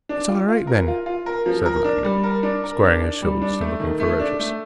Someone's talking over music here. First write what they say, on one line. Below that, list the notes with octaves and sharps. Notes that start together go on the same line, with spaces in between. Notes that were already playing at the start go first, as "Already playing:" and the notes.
"It's all right, then," said Langdon, squaring his shoulders, and looking ferocious.
D4
F4
F4
A#4
F4
F4
A#4
F3
A#4
D4
G3
A#4
D4
A#4
D4
D4
G3
D4
A3
D#3
A3
D4
A3